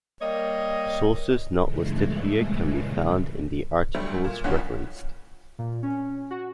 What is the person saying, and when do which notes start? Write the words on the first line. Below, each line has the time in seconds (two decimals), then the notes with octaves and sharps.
Sources not listed here can be found in the articles referenced.
0.21 G3 A#3 C#5 D#5
1.60 G2 A#2 C#3 E3 G#3 A3
3.94 D2 F#3 G3 A3
4.24 A#2
4.44 C2 F2 D3 C#4 F4 F#5
5.59 A#2
5.83 C#4
6.31 F#4